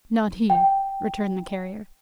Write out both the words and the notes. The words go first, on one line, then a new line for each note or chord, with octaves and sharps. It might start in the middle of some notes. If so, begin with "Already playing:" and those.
"Not he," returned the Carrier.
G5